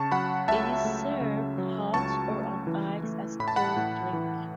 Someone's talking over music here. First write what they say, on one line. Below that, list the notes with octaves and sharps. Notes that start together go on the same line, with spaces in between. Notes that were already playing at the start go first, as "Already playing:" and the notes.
It is served hot, or on ice as a cold drink.
Already playing: C#3 A5 C#6
F#3 F#5 B5
C#2 E5 A5
A3
C#3
F#3
C#2 A5 C#6
A3
E3
A3
A2 B5
A5
F#5 B5
A2
E3